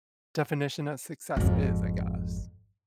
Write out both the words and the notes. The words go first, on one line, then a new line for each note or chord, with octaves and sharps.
definition of success is, I guess.
G#1 F2